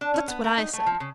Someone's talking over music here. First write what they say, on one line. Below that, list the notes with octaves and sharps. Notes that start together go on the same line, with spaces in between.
That's what I said.
D4
C#4
B3
A#4
D#4
A3
F3
C#3